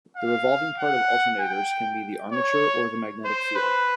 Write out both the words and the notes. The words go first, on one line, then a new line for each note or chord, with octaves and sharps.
The revolving part of alternators can be the armature or the magnetic field.
F5
F#5
G5
C#5
C5
B4